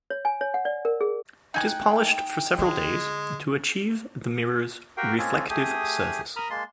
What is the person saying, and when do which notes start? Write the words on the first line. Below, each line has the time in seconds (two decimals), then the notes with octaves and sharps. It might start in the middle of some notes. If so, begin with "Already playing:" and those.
It is polished for several days to achieve the mirror's reflective surface.
0.10 C#5
0.25 G#5
0.41 C#5
0.54 F#5
0.65 D5
0.85 A#4
1.01 G#4
1.54 D#4 G5 G#5 F#6
2.58 D3 G#3
4.97 F#4 G4 A#4 F5 G5
5.18 G#3 A#3 C4 C#4 G#4 A4
5.49 A3 G4 G#4 D#6
6.36 A#4 A#5 B5 D#6 F6
6.50 G#3 A#3 A5 C6